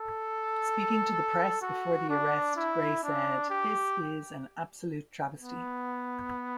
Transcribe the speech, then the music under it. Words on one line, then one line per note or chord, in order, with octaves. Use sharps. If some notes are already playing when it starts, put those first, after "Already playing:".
Speaking to the press before the arrest, Gray said, This is an absolute travesty.
Already playing: A4
F#4
D4
E4
D4
G4
B3